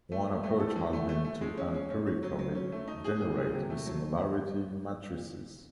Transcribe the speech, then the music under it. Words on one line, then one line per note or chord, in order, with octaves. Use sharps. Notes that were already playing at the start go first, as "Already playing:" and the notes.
One approach has been to empirically generate the similarity matrices.
A3
A3
A3
A4
E3
A3
A3
A3
G#3
C#4
C#4
C#4
C#4
F#3
F#3
C#4
A3
D#4
G#4
G#4
F#3
C3
A3
F#3